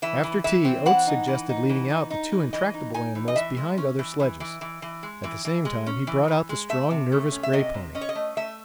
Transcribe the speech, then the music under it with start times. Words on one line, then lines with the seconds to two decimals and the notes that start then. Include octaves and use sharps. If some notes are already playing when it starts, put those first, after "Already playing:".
After tea Oates suggested leading out the two intractable animals behind other sledges; at the same time he brought out the strong, nervous grey pony.
0.02 E3 E5
0.23 E3
0.44 E3 E5
0.65 C4
0.86 E3 F#5
1.07 D#4
1.27 E3
1.49 D#4
1.69 E3
1.90 D#4
2.10 D#4
2.32 E3
2.53 E3 D#5
2.74 D#4
2.94 D#4 G#5
3.15 E3
3.28 D#5
3.36 E3 E5
3.57 G#3
3.78 C#4
3.99 E3
4.20 E3
4.40 E3
4.61 E3
4.82 E3
5.03 G#3
5.24 E3
5.45 E3
5.65 G#3
5.86 C#4
6.07 E3
6.28 E3
6.49 G#3
6.69 A3 E5
6.90 C3
7.12 A3
7.32 C#4
7.43 E5
7.53 C3 D#5
7.74 C3
7.95 C#4 D#5
8.01 C#5
8.09 D#5
8.15 A3
8.37 A3 E5